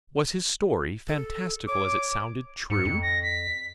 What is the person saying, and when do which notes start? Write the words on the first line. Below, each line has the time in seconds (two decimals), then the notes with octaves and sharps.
Was his story, fantastical as it sounded--true?
1.08 A4
1.68 C#5 D6
2.70 G#2 C#7
2.85 F2
3.02 A#6
3.22 B6